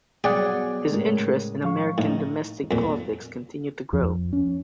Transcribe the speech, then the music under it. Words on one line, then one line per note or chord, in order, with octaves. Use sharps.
His interest in American domestic politics continued to grow.
B2 F#3 G3 G#4 D5 F#5 G5
A2 C#3 G#3 A3 A#4
F3 F5 C#6
A2 D#4 A#4 D#5
F2 A#2
F2 F3
C#4